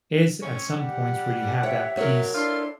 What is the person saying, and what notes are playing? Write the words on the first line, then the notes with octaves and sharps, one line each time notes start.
is at some points where you have that peace,
C4 C#4 C#5
G3 G4 F#5
C#5 E5 G5
F#3 A#4 C#5
D4 E4 F4 A4 C6